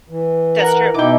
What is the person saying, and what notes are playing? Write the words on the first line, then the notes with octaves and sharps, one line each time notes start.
That's true.
E3
A#4 F#5
B2 D#4 E4 G5 D6